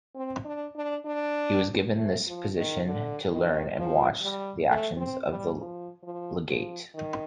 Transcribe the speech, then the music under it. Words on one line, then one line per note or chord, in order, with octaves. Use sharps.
He was given this position to learn and watch the actions of the legate.
C4
D4
D4
D4
A3
F3
D#3
D3
D#3
F3
G3
A3
C4
G3
F3
F3
F3
D#3